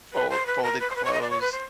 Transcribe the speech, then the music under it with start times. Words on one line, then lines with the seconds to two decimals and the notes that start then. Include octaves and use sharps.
fol folded clothes
0.13 B4
0.29 C5
0.46 B4
0.62 A#4
0.79 B4
0.89 C5
0.95 B4
1.04 C#5
1.12 D#5
1.21 D5
1.30 C#5
1.40 B4
1.51 C5